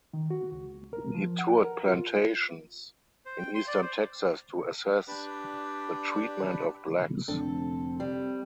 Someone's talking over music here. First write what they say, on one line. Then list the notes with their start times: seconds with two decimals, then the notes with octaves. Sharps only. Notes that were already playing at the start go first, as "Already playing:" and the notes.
He toured plantations in eastern Texas to assess the treatment of blacks.
0.13 D#3
0.30 F#4
0.52 C#2
0.93 A#4
1.14 F3
1.39 F#5
1.64 A#4
1.87 F4
3.26 C5
3.38 G5
3.55 C6
3.67 D5
3.82 C5
5.08 D4 G4 B4 D5
7.28 F1 D3 C4 D4 A4
8.00 G3